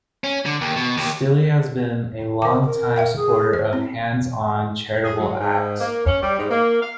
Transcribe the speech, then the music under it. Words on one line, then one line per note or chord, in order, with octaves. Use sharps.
Stilley has been a long time supporter of hands on charitable acts.
C#4
D3
D#2
B2
D#2
D#3 C5 D6
A#4
E5 F5 G5
G#4
C5
C4 E4
G#4
F#3
G#2
A#3
C#4
G3
G#2
A#3
F5